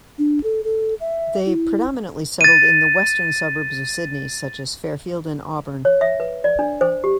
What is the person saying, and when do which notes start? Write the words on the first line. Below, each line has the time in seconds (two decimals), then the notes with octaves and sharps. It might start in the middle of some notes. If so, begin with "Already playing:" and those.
They predominately settled in the western suburbs of Sydney, such as Fairfield and Auburn.
0.18 D4
0.43 A4
0.64 A4
1.00 E5
1.46 E4
2.41 A6 D#7
5.85 C#5
6.01 E5
6.20 B4
6.44 D5
6.59 D4
6.81 C5
7.04 G4